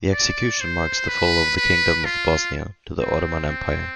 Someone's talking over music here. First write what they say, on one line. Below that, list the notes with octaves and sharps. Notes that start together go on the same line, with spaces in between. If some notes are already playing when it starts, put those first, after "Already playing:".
The execution marks the fall of the Kingdom of Bosnia to the Ottoman Empire.
D5
C5
B4
B4
F4
C4
C4